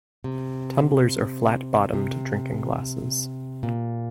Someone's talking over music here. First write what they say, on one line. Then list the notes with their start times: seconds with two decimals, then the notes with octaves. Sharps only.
Tumblers are flat-bottomed drinking glasses.
0.24 C3
1.93 C3
3.63 A#2